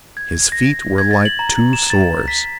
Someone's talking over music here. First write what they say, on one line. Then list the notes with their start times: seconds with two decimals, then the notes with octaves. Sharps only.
His feet were like two sores.
0.17 G#6
0.52 A#6
0.98 G#6
1.11 A6
1.25 F#7
1.39 A#5
1.73 E7
1.90 A6
2.28 B6